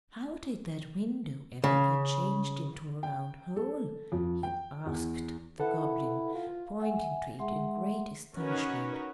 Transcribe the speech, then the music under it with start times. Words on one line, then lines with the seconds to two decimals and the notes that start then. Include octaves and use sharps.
"How did that window ever get changed into a round hole?" he asked the Goblin, pointing to it in great astonishment.
1.64 C#3
3.03 G5
3.56 A4
4.12 F2
4.43 G5
4.85 E2
5.60 E4 A4 B4 F#5
6.34 F4
6.80 E5 F#5 G#5
7.39 G#3 G#4 E5 F#5 C6
8.36 C#4 D#4 F#4 A#4 B4 C#5